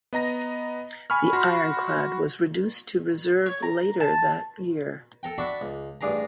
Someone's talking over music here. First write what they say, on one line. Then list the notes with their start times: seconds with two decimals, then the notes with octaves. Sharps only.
The ironclad was reduced to reserve later that year.
0.13 B3 D#5 A#5 A#6
1.10 G#5 B5 C#6 F6
1.33 F#4 B5 C6
3.46 C#5
3.62 A#5
4.00 A5
5.23 A4 A#4 G5
5.38 D4 F#4 E5 A5 B5
5.61 C#2
6.01 A1 G2 D4 G#4 A#4 A#5